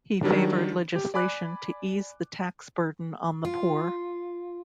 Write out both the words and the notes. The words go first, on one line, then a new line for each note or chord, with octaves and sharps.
He favored legislation to ease the tax burden on the poor.
D#3 F#3 G3 D4
G4
D5 G#5 B5 D6 F#6
F4